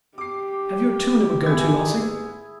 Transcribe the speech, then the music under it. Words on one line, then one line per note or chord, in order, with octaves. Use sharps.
"Have you a tune it would go to, Elsie?"
G4 D6 C7
G#2 B3 E4 G#4 G#6